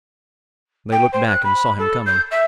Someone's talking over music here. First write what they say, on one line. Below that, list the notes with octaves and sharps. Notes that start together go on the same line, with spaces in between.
They looked back and saw him coming.
G5
C5
F#6
B5
A4
G6
E5